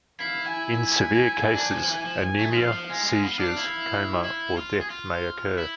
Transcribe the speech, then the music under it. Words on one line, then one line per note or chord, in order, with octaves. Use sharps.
In severe cases anemia, seizures, coma, or death may occur.
E4 F5
G#5
D4
F3
F3
E3
F3
G#5
A3
G#3
F3 F5
F3
G#3 F5
G#3
B3
D4
E4
E4
F4
G#4
F4
E4